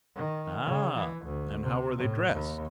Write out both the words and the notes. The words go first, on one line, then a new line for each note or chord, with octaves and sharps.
"Ah! and how were they dressed?"
D#3
C#3
E3
D2
C3
A2
D#2